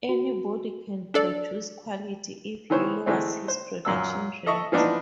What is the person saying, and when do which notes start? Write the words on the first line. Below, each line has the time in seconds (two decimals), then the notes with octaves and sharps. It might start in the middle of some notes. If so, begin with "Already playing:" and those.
Anybody can produce quality if he lowers his production rate.
0.09 F#4
1.14 D4 A4 D5
2.70 D#3 E3 B3 C5 C#5
3.06 E3 G#3 A3 C4
3.48 C5
3.85 F#2 A#2 E6
4.46 A4 D#5 E5 C#6
4.72 E3 F3 B3 D4 D#4